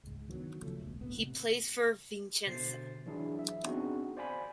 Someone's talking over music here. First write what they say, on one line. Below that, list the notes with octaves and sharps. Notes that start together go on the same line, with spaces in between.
He plays for Vicenza.
C#2 G#2
D3 D#3 F#3 B3
C#3 F3 A3
E1 C#2 B2
D1 A1 A2 B3
C3
B2 D3 C5 A6 C7
E3 F#3 D4 E4 G#4
E5
B3 C4 D4 D#4 F#4 G#4
C5 D5 F5 G#5 B5